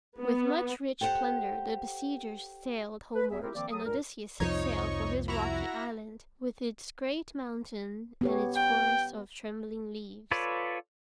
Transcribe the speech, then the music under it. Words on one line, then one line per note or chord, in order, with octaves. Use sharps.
With much rich plunder the besiegers sailed homewards, and Odysseus set sail for his rocky island, with its great mountain, and its forests of trembling leaves.
B3
G4 A4 C5 F#5
B4
E2 G#4 E5
C4 E4 F4 G4 A#4
D#3 F3 A#3 C4 D5 D6
F#3 G#4 A4 D#6
C2 G2 A#2 A#4
C2 F2 F3 D#4 C#5
E4 F#4 A#5
B3 G4 C#5
G5
F4 A4 B4 C#5 D5